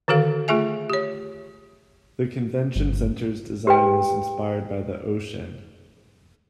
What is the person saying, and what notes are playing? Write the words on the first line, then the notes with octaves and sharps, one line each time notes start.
The Convention Center's design was inspired by the ocean.
D3 D#3 F#4 A4 F5
A3 F4 G#4 E5 G#5
G4 C#5
G1
G4 B4 G5